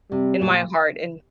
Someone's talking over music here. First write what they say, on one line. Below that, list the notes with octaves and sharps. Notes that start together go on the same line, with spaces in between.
in my heart and
C3 G3
A#2